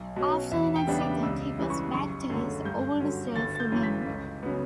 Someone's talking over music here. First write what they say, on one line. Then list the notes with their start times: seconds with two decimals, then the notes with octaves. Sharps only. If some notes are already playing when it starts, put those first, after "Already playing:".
After an accident, he was back to his old self again.
Already playing: B1
0.16 B2 F#3 C#4
0.51 E2 E5
0.76 G5
0.87 C#3 G3 B3 D4
1.00 D6
1.23 C#2 E6
1.58 C#3 E3 G3
1.70 C#6
1.94 F#1 C#6
2.30 F#2 D3 A3
2.64 G2 G6
3.00 D3 F#3 C#4
3.36 G1 A6
3.55 A6
3.60 G6
3.72 F#2 E3
3.83 B6
4.07 C#2
4.43 C#3 F#3 B3